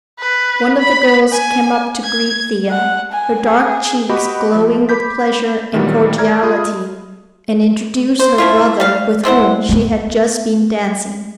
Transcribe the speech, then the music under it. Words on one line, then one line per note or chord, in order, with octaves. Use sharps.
One of the girls came up to greet Thea, her dark cheeks glowing with pleasure and cordiality, and introduced her brother, with whom she had just been dancing.
B4
B5
G#5
G#6
F#5
G#5
G#4
B3 F#4 G4 D#5 F#5 B5
F3
B5 D6 G6 B6
A#2 D#3 E3 F#3 G3 B3
D5 E5 A#5 F6 G#6
G#3 F4 G#4 B5 D#6
C5
A3 E4 F4
G3 F5
A3 C4 E4 F#5
A3 B3